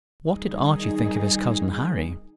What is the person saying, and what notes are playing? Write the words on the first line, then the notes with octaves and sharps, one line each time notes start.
What did Archie think of his cousin Harry?
D#3 G3 D#4 G#4